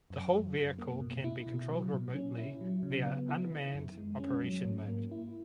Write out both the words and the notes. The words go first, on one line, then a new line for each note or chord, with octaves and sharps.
The whole vehicle can be controlled remotely via unmanned operation mode.
F#2
F#3
F#2
A#3
B2
E4
B2
F#3
A#2
C#4
E4
F#3
C#3
B3
E4
D#3
F#2
G#3
C#4
F#3
G#2
A#3
E4